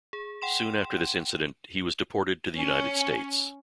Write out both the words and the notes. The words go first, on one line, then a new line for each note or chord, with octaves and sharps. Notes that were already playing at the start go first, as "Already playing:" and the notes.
Soon after this incident, he was deported to the United States.
G#4
F#5 G5 C6 E7
C#4